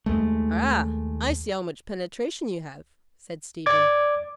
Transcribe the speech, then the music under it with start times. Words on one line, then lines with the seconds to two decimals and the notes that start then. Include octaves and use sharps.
"Ah, I see how much penetration you have," said Stephen.
0.06 D#2 G#3 A3
3.66 D5 D6 G#6